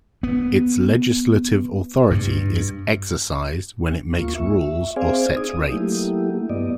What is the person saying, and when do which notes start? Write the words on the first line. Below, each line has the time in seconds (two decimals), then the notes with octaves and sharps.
Its legislative authority is exercised when it makes rules or sets rates.
0.23 B3
2.11 G2
4.18 D2 A#3 F4 C#6
4.35 E5
4.96 C4 G#4 C5 D5 F5 G#5
5.36 D#4 D#6
5.72 F#3 A3 A#3 E4 G4
6.50 G2 B3 D5 D#5